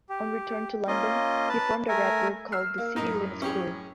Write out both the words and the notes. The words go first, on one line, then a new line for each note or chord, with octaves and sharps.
On return to London, he formed a rap group called the City Limits Crew.
G4
A#3 C#4 F4 D#5
B4 A5
A3 A#4 E5 G#5
E6 F6 C7
A#3
F#2 A2 D#4 A#4 D#5
C#4 G4 G#4